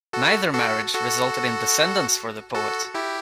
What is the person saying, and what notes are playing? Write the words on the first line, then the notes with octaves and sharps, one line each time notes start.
Neither marriage resulted in descendants for the poet.
F#4 A4
F#4 A4
F#4 A4
F#4 A4
E4 G4